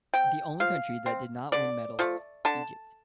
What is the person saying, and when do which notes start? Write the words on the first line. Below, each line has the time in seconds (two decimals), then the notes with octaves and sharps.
The only country that did not win medals-Egypt.
0.14 C4 G5
0.60 F3 F5
1.06 C4
1.52 D3 D5
1.99 F3 A3
2.45 D3 A5